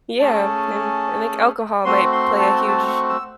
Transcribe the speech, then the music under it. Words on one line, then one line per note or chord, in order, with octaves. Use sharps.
Yeah, and I think alcohol might play a huge
A3 C#4 G#4 A5
A3 C4 F#4 C6
C6
A5
A5
C#6
E6